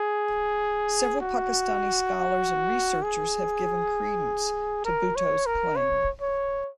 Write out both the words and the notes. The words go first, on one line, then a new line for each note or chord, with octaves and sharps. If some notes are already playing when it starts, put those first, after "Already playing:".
Several Pakistani scholars and researchers have given credence to Bhutto's claim.
Already playing: G#4
F#4
G#4
A#4
C#5
A#4
C#5
C#5